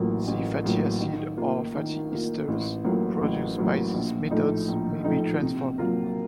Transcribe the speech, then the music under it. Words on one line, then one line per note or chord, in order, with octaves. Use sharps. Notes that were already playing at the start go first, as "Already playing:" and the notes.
The fatty acid or fatty esters produced by these methods may be transformed.
Already playing: A1 A2 F#3 A#3 F4
A1
A2 F#3 A#3 F4
D#3
A#3 F4
D#3
A#3 F4
A1
A2 F#3 A#3 F4
A1
A2 F#3 A#3 F4
A#1
A2 F3 A3 D#4
A#1
A2 F3 A3 D#4
C3
F#3 A#3 F4 A#4